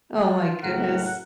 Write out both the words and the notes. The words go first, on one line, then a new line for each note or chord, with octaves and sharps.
Oh, my goodness.
F4
F#1 A2 A#4 F#5